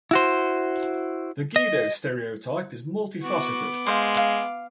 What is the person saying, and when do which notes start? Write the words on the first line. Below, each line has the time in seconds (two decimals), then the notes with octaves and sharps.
The guido stereotype is multi-faceted.
0.11 E4 F#4 C5
1.56 D#5
3.23 B3 F#4 D6
3.86 G#3 C5 F5
4.17 F5